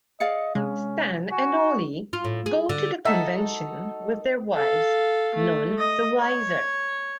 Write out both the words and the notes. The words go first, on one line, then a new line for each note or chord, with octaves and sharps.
Stan and Ollie go to the convention, with their wives none the wiser.
G#4 D5 D#5 F5 C#7
C3 G#3 C#4
F#4 G#5
F4
A2
G#4
D3
D#4 F#4 A4 E5 A5
A4 F5
A3
D#5
C#5